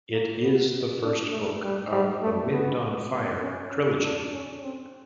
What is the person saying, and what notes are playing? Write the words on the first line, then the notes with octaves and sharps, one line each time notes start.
It is the first book of the "Wind On Fire" Trilogy.
A#3
B3
D4
A3
G3
G3
A3
B3
B3
C#4
D4
C#4
C4